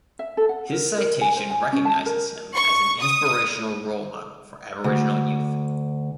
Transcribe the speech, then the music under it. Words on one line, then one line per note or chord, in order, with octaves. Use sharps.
His citation recognizes him as an inspirational role model for Aboriginal youth.
E5
A4
F#5
A#4
A#4
G#5
C5
G#5
C#4
A5
A#4
C#6
D#6
D2